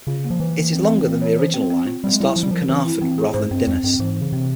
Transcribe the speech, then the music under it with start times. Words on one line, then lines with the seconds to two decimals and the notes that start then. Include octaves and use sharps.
It is longer than the original line and starts from Caernarfon rather than Dinas.
0.07 C#3 F4
0.24 A#3
0.30 F3
0.40 E3 C5
0.56 A#3
0.73 C4
0.89 C4
1.06 C4
1.21 C#5
1.39 C5
1.54 C4
1.70 C4
1.87 F4
2.04 G3 C4
2.12 G#3
2.20 G3 E4
2.36 F3 C4
2.43 G3
2.51 F3 A#4
2.69 E3 C4
2.85 E4
3.02 E3 C4
3.18 G#4
3.34 G#2 C5
3.51 G2 C4
3.67 F2 C4
3.84 G2 C4
3.99 G#2 E3
4.17 C#3 E3
4.32 C3 C4